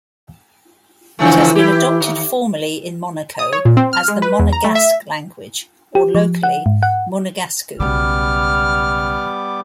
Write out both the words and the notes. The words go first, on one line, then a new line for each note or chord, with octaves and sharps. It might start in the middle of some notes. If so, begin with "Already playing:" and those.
It has been adopted formally in Monaco as the Monegasque language; or locally, "Munegascu".
C#3 E3 F3 A3
E4 G4
D#3
D#6
C#5
A#2
C4
F6
G#3
B4
E2
A#5
A3
E5
G4
F3
F#5
G#2
F#5
B1 C#3 G3 B3 D6 F6